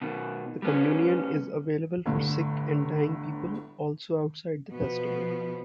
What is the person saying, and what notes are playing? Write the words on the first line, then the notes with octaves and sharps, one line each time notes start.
The communion is available for sick and dying people also outside the festival.
B2 D#3
G3 B3 C#4
G1 A2 D3
B2 F3 B3